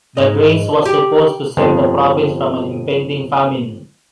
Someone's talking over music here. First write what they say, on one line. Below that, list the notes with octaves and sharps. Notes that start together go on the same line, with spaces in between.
The grains was supposed to save the Provence from an impending famine.
G#2 G#3 D#5
G4
G1 F2